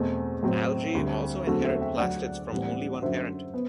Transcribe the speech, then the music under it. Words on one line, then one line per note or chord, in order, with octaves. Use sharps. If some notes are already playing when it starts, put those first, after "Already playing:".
Algae also inherit plastids from only one parent.
Already playing: E2 B2 A3 C4
A2 F#3 C4
D2 D3 G3 C4
E2 D3 F#3 A3 C4 F#4 A4
C5 E5
E5 G5
D2 D3 F#3 D5 F#5
A2 E3 G3 C4
F#2 D3 F#3 C5 E5
B3